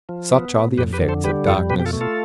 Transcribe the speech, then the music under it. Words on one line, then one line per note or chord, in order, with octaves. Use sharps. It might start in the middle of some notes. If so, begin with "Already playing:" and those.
Such are the effects of darkness.
F3
B3
A2
F2 G4 B4
G4 B4
D3
A4 C5
G3 G4 B4
F2 F4 A4
B2 G4 B4
G4
F4 A4
A3
F4 A4